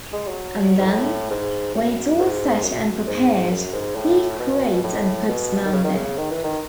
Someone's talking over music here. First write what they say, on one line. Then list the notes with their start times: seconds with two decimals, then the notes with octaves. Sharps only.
And then, when it's all set and prepared, he creates and puts man there.
0.13 G#3
0.27 F#3
0.79 G#2
0.86 A2
1.30 G#2
1.75 F#2
2.19 G#2
2.63 F#2
3.07 G#2
3.51 F#2
3.74 G#2
3.95 A2
4.39 B2
4.84 A2
5.28 B2
5.65 D#3
5.72 C#3
5.84 D#3
5.94 C#3
6.17 D#3
6.30 E3
6.44 D#3